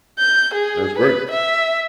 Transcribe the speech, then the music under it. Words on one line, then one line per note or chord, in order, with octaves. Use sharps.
that's great.
G6
G#4
B4
E5